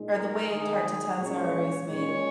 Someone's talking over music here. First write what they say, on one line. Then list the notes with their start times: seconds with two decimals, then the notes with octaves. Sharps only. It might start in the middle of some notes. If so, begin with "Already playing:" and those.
or the way tarte tatin's are always made
Already playing: A#2 G#3 D#4
0.15 A#4
0.49 D#3 G#3 D#4 G#4
1.19 A#2 G#3 C#4 C#5
1.88 A#2 G#3 C#4 C#5